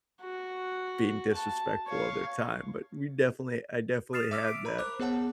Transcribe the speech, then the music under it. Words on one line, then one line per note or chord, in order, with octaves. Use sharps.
being disrespectful of their time. But we definitely I definitely had that,
F#4
A5
C#5 F5
D#6 F6 A6 C7 E7 F7
E5 D6 E6 F6 B6
D6 B6 D7
A#4 A#5 B5
C5 D6 F#6
B3 G#4 C#5 F#5 A5